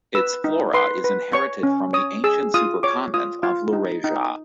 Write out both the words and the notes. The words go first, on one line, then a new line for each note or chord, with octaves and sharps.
Its flora is inherited from the ancient supercontinent of Laurasia.
B4 E6
D#4
B4 C6
B4
C#5 C#6
C#4
C#5 D#6
G#4 E6
F4 D#6
C#5 D6
F4 D#6
F4
D#4
D#4